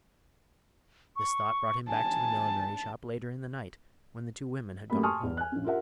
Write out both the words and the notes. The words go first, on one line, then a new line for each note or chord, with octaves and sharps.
This thought brought him back to the millinery shop later in the night, when the two women had gone home.
C#6
G#5 A5
F#2 A2 A3 A#3 G4 B5
G#5 A5 C6 C#6 D#6 F6
E2
G#5 F#6
A#1 C#4
F4 G4 A#4 E5 F#5